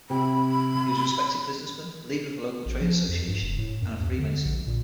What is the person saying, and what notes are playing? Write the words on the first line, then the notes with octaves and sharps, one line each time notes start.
He was a respected businessman, leader of the local trade association, and a Freemason.
C3 G4 B5
A1
F3
F2
G2
F1
A2
F#2
D#2
D3
A#1
A#2